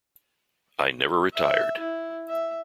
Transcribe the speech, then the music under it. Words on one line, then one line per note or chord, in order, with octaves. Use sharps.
I never retired.
E5
E4
E5